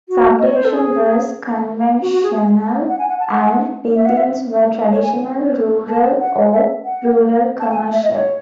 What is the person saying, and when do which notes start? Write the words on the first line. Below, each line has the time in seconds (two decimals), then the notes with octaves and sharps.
Subdivision was conventional and buildings were traditional rural or rural commercial.
0.08 F#4
0.38 D#5
0.46 C#5
0.56 C5
0.64 A4
0.73 G#4
2.01 F#4
2.12 F#4
2.23 G#4
2.88 F#5
2.98 G#5
3.09 F#5
3.20 A5
3.31 F#5
3.95 E5
4.05 F#5
4.17 E5
4.92 C#5
5.03 G#5
5.88 A5
6.20 F#5
6.52 E5
6.85 F#5
7.60 A5
7.70 G#5
7.92 E5
8.03 D#5
8.13 C#5